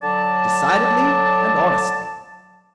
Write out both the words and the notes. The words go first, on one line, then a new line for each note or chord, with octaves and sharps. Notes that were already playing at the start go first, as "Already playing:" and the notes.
"Decidedly and honestly."
D3 F#3 D5 A5